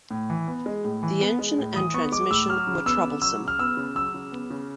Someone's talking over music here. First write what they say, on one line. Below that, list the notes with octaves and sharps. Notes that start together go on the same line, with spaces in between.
The engine and transmission were troublesome.
A2
E3
B3
G#3
A2
E3
B3
G#3
A2
E3 D#6
B3 C#6
G#3 D6
A2 E6
F#3 F6
C#3
B3 E6
C#3
F#3 E6
C#3
F6
B3 E6
C#3
F#3 E6
C#3
B3
C#3